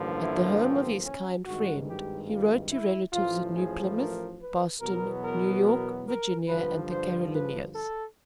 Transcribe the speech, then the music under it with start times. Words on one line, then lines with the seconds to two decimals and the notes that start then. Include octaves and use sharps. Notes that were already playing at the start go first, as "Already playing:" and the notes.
At the home of his kind friend, he wrote to relatives at New Plymouth, Boston, New York, Virginia and the Carolinias.
Already playing: A1 G2 D3 F3 A#3
0.20 E4
0.62 C4
1.04 C#4
1.46 G#1 G2 D#3 G#3 F#4
1.88 G4
2.29 F4
2.71 E4
3.13 A1 A2 F3 F4
3.55 G#4
3.97 A#4
4.39 B4
4.81 E2 B2 F#3 B3 A#4
5.23 A#4
5.64 A#4
6.07 A#4
6.48 G2 D3 F3 B4
6.90 C5
7.32 B4
7.75 A4